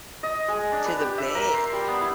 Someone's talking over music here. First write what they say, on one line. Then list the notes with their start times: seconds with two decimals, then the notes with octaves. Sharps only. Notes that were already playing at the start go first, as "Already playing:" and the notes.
to the bay.
0.23 D#5
0.48 G#3
0.72 D4
0.86 B4
1.00 G4
1.18 E5
1.35 A#4
1.54 C6
1.73 G3
1.88 B3
2.01 E4